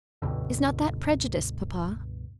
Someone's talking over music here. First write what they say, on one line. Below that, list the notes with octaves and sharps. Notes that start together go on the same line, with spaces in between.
"Is not that prejudice, papa?"
C#2 G2 B2 D3